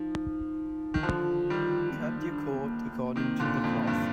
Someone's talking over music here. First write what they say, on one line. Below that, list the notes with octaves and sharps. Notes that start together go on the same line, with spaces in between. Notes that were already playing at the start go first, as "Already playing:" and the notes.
Cut your coat according to the cloth.
Already playing: F3 D#4
D#3
D3 F3 F4
D#3 G3
C4
A#3
D#4
D4
C4
A#3
A#3
C3 D#3
A#2 D3
F2
G2